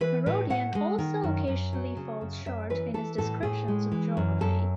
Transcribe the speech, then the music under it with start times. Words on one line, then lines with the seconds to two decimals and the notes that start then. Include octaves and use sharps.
Herodian also occasionally falls short in his descriptions of geography.
0.01 E3 B4
0.26 A2 B4
0.50 A2 F#5
0.75 G#3
0.98 D#3
1.23 F#2
1.48 F#2
1.73 F#3
1.97 C#3
2.21 F#2
2.46 F#2 E5
2.70 E3 B4
2.94 E3 A4
3.18 A2 A4
3.43 A2 G#4
3.68 G#3
3.92 E3
4.17 F#2
4.41 F#2 A4